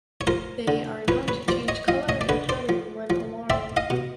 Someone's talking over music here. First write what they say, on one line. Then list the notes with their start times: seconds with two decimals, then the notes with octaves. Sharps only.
They are known to change colour and pattern when alarmed.
0.21 C#5
0.27 F3 A#4 C5
0.68 D3
1.08 F3 B4 C#5
1.28 B4 C#5
1.48 F3 C5 D5
1.68 C#5 D#5
1.88 F3 D#5 F5
2.09 C#5 D#5
2.21 D5
2.29 D3 B4 C#5
2.49 C5 D5
2.69 F3
3.10 F3
3.50 C4 D5 E5
3.77 D#5 F5
3.90 B2